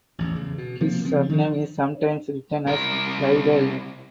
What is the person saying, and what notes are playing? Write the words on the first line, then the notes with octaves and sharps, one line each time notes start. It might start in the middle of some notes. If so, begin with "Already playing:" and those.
His surname is sometimes written as Lidell.
A1 E2
E2 C#3
B2
C3 F3 A#3
C#3 F3 C4
D#3 F3
C2 A#4